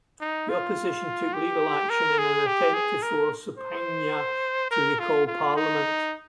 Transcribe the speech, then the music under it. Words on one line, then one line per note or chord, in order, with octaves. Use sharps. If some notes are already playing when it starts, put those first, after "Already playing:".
The opposition took legal action in an attempt to force Sopoanga to recall parliament.
D#4
F4
G4
A#4
G#4
G4
G#4
A#4
C5
A#4
F4
F4
D#4